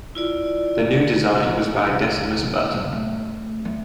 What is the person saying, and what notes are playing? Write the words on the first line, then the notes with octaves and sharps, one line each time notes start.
The new design was by Decimus Burton.
E4 F4 D5
A#1
C#2
A#2
G2
A3
A3